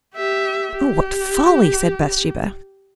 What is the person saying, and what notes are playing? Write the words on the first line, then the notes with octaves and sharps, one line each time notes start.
"Oh, what folly!" said Bathsheba.
G4 E5
G4